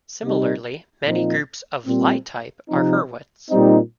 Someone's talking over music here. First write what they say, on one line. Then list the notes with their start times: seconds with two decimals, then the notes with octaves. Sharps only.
Similarly, many groups of Lie type are Hurwitz.
0.24 C3 G3 C4 D#4
1.05 A#2 F3 C4 D#4
1.86 A#2 G3 C4
2.68 C3 F3 C4 D#4
3.49 A#2 G3 C4 D#4